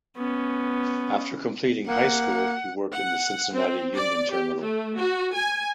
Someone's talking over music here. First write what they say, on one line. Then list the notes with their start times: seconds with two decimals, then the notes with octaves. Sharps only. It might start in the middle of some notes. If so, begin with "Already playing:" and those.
After completing high school he worked in the Cincinnati Union Terminal.
0.17 B3 C#4
1.87 A#3 F#5
2.92 F#5
3.53 C4
3.95 D5
4.31 G4
4.59 A3
4.96 F#4
5.33 G#5